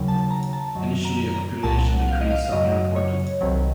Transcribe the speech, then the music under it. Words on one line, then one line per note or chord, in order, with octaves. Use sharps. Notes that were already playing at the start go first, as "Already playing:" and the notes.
Initially a population decrease had been reported.
Already playing: D#2 C#3 F#3
A5
A#5
A5
F#2 D#3 F#3
A#5
A#5
C2 A#2 F#3 A5
F#5
F5
D#5
F5
F#2 C#3 F#3 D#5
C#5
C2 C3 D#3 F#3